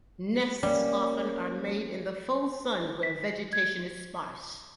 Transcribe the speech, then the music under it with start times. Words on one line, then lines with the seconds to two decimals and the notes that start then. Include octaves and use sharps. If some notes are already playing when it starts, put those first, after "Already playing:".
Nests often are made in the full sun where vegetation is sparse.
0.63 G3 A#3 C#4
3.03 B6
3.53 G#6